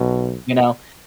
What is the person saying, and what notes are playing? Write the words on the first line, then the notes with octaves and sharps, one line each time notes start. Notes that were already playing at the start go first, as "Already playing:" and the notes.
You know,
Already playing: B1 B2